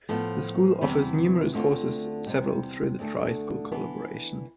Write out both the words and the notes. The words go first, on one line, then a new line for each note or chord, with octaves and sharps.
The school offers numerous courses, several through the tri-school collaboration.
A2 F3 B3 F4 A4
E2 C3 E3 G3
D2 D3 A3 C4 F4
E2 C3 G3
D2 D3 A3
E3 B3 D4